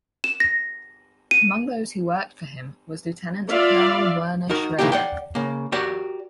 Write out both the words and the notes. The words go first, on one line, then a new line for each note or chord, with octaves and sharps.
Among those who worked for him was Lieutenant Colonel Werner Schrader.
E7
A#6
D#7
F4 D5 E5 F5
D#4 F#4 A#4
C#3 E3 A3 A#3 D#4 G4
D5 F#5 G5
C#3 A#3
F#4 G4 A#4 D5 F#5